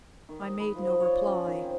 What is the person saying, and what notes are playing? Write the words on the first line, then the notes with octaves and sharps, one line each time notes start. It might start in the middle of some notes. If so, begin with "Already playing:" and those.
I made no reply.
D#3
D#5
B4
F3
D#5
C#5
D5
C#4
D#3
C4